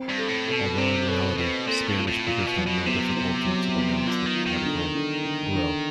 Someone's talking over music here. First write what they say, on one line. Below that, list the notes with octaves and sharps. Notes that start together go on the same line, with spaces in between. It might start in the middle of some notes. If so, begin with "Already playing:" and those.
Although in reality Spanish speakers have no difficulty to pronounce the particle 'gro'.
Already playing: C4
G2
A4
A2
B2 A4
C3 C4
B2 A4
B2 C4
A#2 A4
A2
F4
A2
A#2 F4
B2
F#3
B2
C3 B3
B3
F#3
B3
D3 F4
D#3
F4
D#3
D3
D3
D3
D3